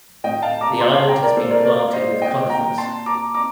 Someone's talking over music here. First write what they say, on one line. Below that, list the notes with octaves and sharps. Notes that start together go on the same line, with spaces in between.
The island has been planted with conifers.
A2 D#5 G5
F5 A5
A#5 D6
A5 C6
A5 C6
G5 A#5
A#4 D5
A#2 A4 C5
A#4 D5
A#4 D5
D5 F5
C5 D#5
D#5 G5
A#2 G5 A#5
A5 C6
A#5 D6
A#5 D6